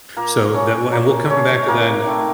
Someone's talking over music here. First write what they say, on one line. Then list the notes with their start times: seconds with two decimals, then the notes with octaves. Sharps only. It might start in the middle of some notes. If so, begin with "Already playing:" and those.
So that will and we'll come back to that in a
0.17 A#2 A#3 A#4
0.54 A3 C#4 C#5
0.92 A#2 A#3 A#4
1.30 A3 C#4 C#5
1.68 C3 A#3 A#4
2.06 D#3 A3